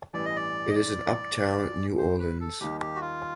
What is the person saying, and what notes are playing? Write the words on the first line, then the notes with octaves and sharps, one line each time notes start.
It is in Uptown New Orleans.
A1 G2 E3 G3 D5
D#5
D5
D#5
D5
C5
B4
A4
D#2 D#3 G3 A#3 D#4 G4
G4
F#4
F4